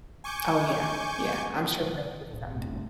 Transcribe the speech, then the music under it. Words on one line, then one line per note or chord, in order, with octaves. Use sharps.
Oh, yeah, yeah, I'm sure that's just something
G#5 C#6 D6 G6
D1 B1
A2 C3
F1 G2